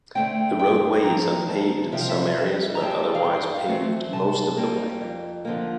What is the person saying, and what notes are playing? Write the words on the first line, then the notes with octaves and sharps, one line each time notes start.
The roadway is unpaved in some areas, but otherwise paved most of the way.
D3 A3 C4 G5
G2 G5
F3 C4 A#5
D2 A5
C3 F3 C4 E5
F5
E5
F2 E5
A#5
E3 G3 C4 A5
F5
G2 G5
F5
E3 A3 C4
C3 A5
G3 A#3
F2
D3 F3 A#3